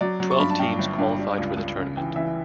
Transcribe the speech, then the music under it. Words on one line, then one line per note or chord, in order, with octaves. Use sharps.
Twelve teams qualified for the tournament.
F#3 D5
F#3
C#6
G2 B5
A5
G2 G5
G1
G2
G3
C#2
C#2
C#3
E3 G5
E3 E5